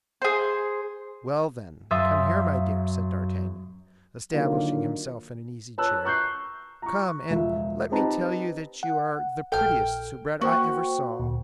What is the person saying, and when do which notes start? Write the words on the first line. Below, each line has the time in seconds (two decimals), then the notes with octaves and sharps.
"Well, then, come here, my dear," said d'Artagnan, establishing himself in an easy chair; "come, and let me tell you that you are the prettiest SOUBRETTE I ever saw!"
0.22 G#4 C5
1.91 F#2 E5 F5 C6 D#6 A6
4.32 D3 D#3 F#3 A#3 F4
5.78 B4 C#5 A5 E6 F#6
6.04 A#5 C#6 F#6 G6 C7
6.82 A#5 C#6
7.29 E1 C#2 F3 E5
7.92 C4 D#4 G4 B4 A5 A#5
8.83 F#5
9.52 A#1 A4 G5 F6
10.41 A#3 F#4 C5 G5
11.20 D2 A#2